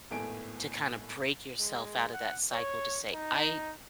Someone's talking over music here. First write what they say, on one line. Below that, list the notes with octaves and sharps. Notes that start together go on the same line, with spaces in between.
To kinda break yourself out of that cycle to say, "I
G#1 A2 B3 A4 G#5 D7
G#3
F#5
C#5
D#4